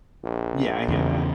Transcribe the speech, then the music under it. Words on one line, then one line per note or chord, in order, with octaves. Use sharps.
Yeah, I hear that.
A#1
E2 C#3